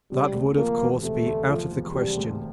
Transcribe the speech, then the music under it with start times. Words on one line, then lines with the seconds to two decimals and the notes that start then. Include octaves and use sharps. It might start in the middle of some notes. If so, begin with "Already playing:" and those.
That would, of course, be out of the question.
0.12 C3 G3
0.34 D2
0.57 F3 A#3
0.81 E1
1.03 C3 A3
1.26 D2
1.49 F3
1.72 E1
1.94 C3 G3
2.17 D2